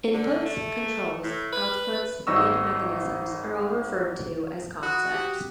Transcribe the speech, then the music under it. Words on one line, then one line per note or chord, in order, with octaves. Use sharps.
Inputs, Controls, Outputs, and Mechanisms are all referred to as concepts.
D3
A3
A2
B4
G#1 G3 D#4 D#5 C#6 E6
F#4 B5 D#6
G4